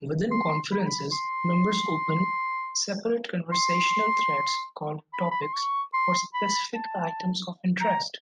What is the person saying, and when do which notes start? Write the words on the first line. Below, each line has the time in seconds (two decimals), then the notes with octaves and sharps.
Within conferences, members open separate conversational threads called "topics" for specific items of interest.
0.31 C6
0.72 B5
0.79 A#5
0.86 B5
1.12 C6
3.52 C6
5.13 B5
5.31 B5
5.42 C6
5.54 C#6
5.94 C6
6.34 B5
6.74 A5
7.81 A#5